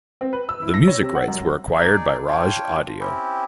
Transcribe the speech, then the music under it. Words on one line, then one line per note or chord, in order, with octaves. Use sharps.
The music rights were acquired by Raj Audio.
C4
B4
E6
E4
A#6
C#5
C3
F#5
F#2
D#4 G#4 D5
D4 F4 C#5 G5
C4 C#4 E4 G4